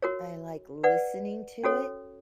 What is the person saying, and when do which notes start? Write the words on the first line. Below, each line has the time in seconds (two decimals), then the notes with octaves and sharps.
I like listening to it-
0.02 F#4 A#4 C#5
0.84 B4 D5 F#5
1.64 C#4 F#4 A4 C#5